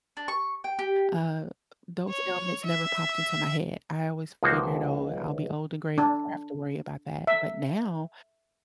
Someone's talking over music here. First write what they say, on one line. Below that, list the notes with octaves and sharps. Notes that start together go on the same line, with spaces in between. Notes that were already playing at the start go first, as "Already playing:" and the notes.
uh, those ailments never popped into my head. I always figured, "Oh, I'll be old and gray before I have to worry about that." But now,
D4
C#6
G5
G4
C#5
E5
C#2 F3 A#3 D#4 F#4 C5
D4
E5